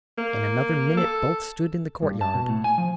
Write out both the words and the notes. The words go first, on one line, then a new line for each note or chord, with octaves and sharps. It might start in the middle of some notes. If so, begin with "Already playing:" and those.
In another minute both stood in the courtyard.
A#3
A4
G2
A5
B2
A2
G#5
F3